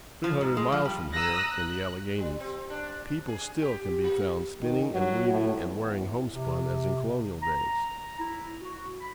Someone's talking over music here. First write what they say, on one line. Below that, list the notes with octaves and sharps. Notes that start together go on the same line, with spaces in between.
Three hundred miles from here, in the Alleghanies, people still can be found spinning and weaving and wearing homespun as in colonial days.
F3
G#2
G#3
F3
G3
A#5 D#6 E6 F#6 A#6
F#6
G3
C4
D4
G#4
G4
A#3
D#3
F#3
A2
E2
C3
A#5
E4
F#4
B5